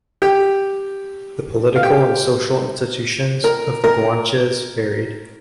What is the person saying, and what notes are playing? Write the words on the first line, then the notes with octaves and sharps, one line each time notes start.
The political and social institutions of the Guanches varied.
G4 G5
F5
G4 G5
A#4 A#5
A#4 A#5